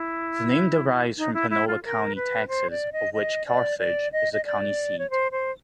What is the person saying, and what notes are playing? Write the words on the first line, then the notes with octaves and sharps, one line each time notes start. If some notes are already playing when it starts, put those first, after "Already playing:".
The name derives from Panola County, Texas, of which Carthage is the county seat.
Already playing: E4
D#4
E4
E4
F4
A#4
B4
C5
D5
D#5
D#5
D5
D5
D#5
D#5
D5
C#5
C5
C5